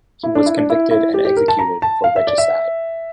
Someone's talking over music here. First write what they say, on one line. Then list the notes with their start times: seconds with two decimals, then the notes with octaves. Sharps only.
He was convicted and executed for regicide.
0.23 E4
0.35 D4
0.46 E4
0.57 D4
0.70 E4
0.91 E4
1.14 G4
1.25 G4
1.37 A#4
1.48 A5
1.59 A#5
1.82 A5
2.04 F5
2.16 E5
2.27 D5
2.38 E5